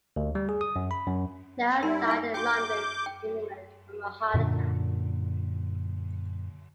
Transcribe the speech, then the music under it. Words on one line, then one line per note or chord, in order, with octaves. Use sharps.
Neill died in London, England, from a heart attack.
D2
G3
G#4
D#6
F#2
B5
F#2
G3 D#4 E4 A#4 C6
F5 G#5
F#4 G5 D6 G6
G5
F#2 A#2 D3